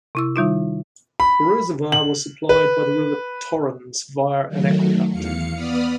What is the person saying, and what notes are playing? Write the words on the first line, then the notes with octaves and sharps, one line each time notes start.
The reservoir was supplied by the River Torrens via an aqueduct.
C3 E4 E6
D#3 G3 D#4 F4
B5
F#7
B4
D#3 F#3 A3
E2 F5 C#7
B3 D5 B5 D#6 F6